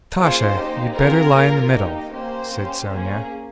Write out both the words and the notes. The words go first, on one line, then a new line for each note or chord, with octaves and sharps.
"Natasha, you'd better lie in the middle," said Sonya.
A#3 C#4 F4 G#4 C5
A#3 D#4 G4
C4 F4 G#4 A#4
A#3 F4 G#4
A#3 D#4 G4
A#3 C#4 G4 C5
C#4 G4
A#3 C#4 G#4